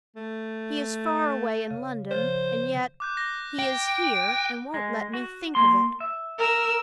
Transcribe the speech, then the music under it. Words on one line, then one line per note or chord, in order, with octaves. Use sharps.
He is far away in London; and yet, he is here and won't let me think of it!
A3
C#3 F5
C#3 F3 C5
D6 F#6 G6
A#6
G5
D7
F#6
G#3
F#4
A#3 C6
E5
A#4 E6